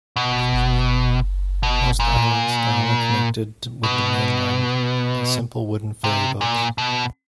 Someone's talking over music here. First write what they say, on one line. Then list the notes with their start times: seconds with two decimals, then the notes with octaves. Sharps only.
Most islands are only connected with the mainland by simple wooden ferryboats.
0.16 B2
1.63 B2
2.00 A#2
3.83 B2
6.04 C3
6.41 A#2
6.78 B2